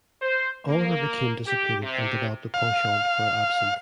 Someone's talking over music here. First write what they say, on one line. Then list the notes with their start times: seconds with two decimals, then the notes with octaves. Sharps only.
Oliver became dissipated and developed a penchant for absinthe.
0.21 C5
0.66 A#3
1.46 G4
1.82 C3
2.54 F5